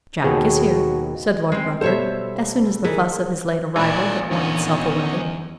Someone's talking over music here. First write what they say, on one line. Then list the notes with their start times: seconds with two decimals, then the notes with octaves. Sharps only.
"Jack is here," said Lord Rufford, as soon as the fuss of his late arrival had worn itself away.
0.24 D#2 B2 F#4 G#4 C#5
1.52 G#3 C4
1.81 B2 G3 A4 C5 C#5 E5
2.84 D#3 E3 G#4
3.76 A1 A#2 D#4 D5 G#5
4.31 E2 D3 B3 C#4 D#4